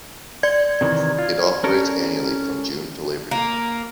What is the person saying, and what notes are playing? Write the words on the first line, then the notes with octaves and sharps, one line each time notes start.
It operates annually from June to Labor Day.
D5 G#6
C3 D#3 E3
F4
C#4 A4 A#4
A#3